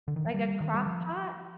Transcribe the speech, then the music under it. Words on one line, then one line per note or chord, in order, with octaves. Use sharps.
Like a crock pot?
D3
D#3
F3
G3
D#3
G3
F3